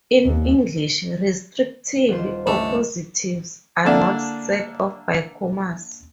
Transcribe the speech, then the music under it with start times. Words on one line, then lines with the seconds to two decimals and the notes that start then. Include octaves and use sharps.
In English, restrictive appositives are not set off by commas.
0.25 D#2
2.08 D#1 F4 C5
2.47 G1 C#2 A3 D4
3.85 D3 A#3 D4 E4